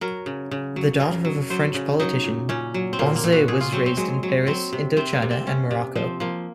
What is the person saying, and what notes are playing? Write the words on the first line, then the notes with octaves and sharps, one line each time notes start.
The daughter of a French politician, Banzet was raised in Paris, Indochina, and Morocco.
F#3 A#4
C#3
C#3
F#3
C#3 A#4
F#3
F#3 C5
C#3
F#3 D#4
A#2
A#2 C#4
F#3
C4
A#2 A#3
A#3
A#2
F#4
A#2 G#4
F4
F#3 C4
C4
F#3 G#3
F#3
F#3 C4
C3
C3 C4
A#3
C3
C4
C3 C#4
C3
F3 C4
F3 A#3